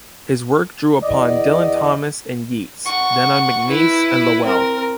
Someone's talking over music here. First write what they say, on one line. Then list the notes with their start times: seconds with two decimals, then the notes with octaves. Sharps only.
His work drew upon Dylan Thomas and Yeats; then on MacNeice and Lowell.
1.03 E2 D5 D#5
2.85 F#5 C#6
3.68 E4 B4
4.43 C4 A#4